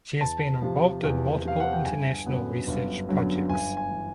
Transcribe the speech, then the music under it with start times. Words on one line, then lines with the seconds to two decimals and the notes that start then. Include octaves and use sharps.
She has been involved in multiple international research projects.
0.21 E2 A5
0.62 C3 F3
1.03 E2
1.44 C3 F3 F5
1.60 F#5
1.73 G5
1.85 G1 G#5
2.26 F#2 D3 F#3 B3
2.67 G1
3.09 F#2 D3 F#3 B3
3.49 G1 G#5
3.77 G#5
3.91 E3